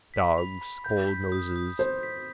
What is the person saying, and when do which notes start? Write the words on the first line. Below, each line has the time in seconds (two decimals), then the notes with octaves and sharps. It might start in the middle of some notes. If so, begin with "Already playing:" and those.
Dogs' cold noses.
0.14 B6
0.38 B5
0.61 B5
0.84 G6
1.08 B6
1.32 D#6
1.56 D#6
1.79 C5 G6
2.03 B6